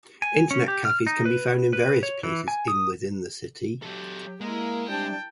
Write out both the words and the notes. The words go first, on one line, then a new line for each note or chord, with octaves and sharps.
Internet cafes can be found in various places in within the city.
G#5
C#4
G4
F6
D#4
B4
B4
C#5
E3
G#5
D#6
F#3 G4 A4
G#3 A#3 E4 A#4
C3 G3 D4 G5 A5